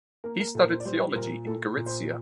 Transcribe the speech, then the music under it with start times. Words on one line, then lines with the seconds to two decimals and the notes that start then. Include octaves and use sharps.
He studied theology in Gorizia.
0.24 A#3 A#4
0.40 A#4
0.55 A#2 A4
0.64 A#4
0.70 C5
0.80 D5
0.85 G3 C5
1.12 C5
1.16 A#2 A#4
1.46 A#3 A4
1.77 A#2
1.86 C5